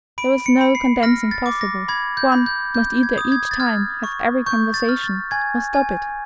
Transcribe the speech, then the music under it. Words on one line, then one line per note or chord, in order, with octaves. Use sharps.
There was no condensing possible; one must either each time have every conversation or stop it.
B5 D7
C#7
B5
C7
F6 A#6
A6
D6
A#6
B5 G#6
G6
B5
G6
G6
G#6
D#6
G#6
A6
F6 G#6
C#6
C#6 G6
A6
F6
A6
G#5 G#6
G#5